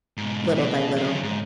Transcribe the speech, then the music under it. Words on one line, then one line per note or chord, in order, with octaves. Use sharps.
little by little.
G#2 B2
B2
F#3 C4
G#2